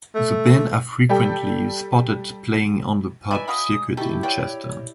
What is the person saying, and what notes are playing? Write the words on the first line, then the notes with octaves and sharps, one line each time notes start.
The band are frequently spotted playing on the pub circuit in Chester.
A3
G3 G4 A4 G5
D#4 E4 B4 D5 E5 G#5
F#4 F5 B5 D#6
D#3 E4 F#4 G4 A4
F4 F#4 C#5 D5 G5